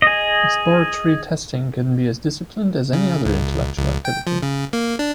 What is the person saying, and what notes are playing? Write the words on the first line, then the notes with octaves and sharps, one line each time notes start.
Exploratory testing can be as disciplined as any other intellectual activity.
G#4 D#5
C#3
C#2
C#2
G5
F3
C#3
A#3
D4